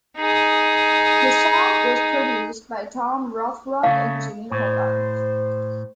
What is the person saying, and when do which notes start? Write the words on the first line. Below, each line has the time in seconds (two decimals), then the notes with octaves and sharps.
The song was produced by Tom Rothrock and Jimmy Hogarth.
0.18 D#4 G#4
3.83 C#3 A3 F5
4.51 A2 C5